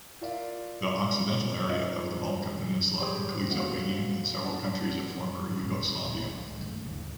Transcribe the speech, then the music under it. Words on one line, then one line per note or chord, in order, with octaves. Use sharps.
The occidental area of the Balkan peninsula includes Albania and several countries of former Yugoslavia.
F4 A#4 D5 E5 F5
G#2 F4 D#5 E5
G4 G#4 C5 G5 D6 D#6
F1 D#2 C#3 F#3 F4 F#5
D4 B4 D5 F#5 A5
A#1 G2
C#3 G#3
D#1 A1 B2
C#2 A2 D#3
F#1 G2 D#3 A3
D2 G2 C#3 E3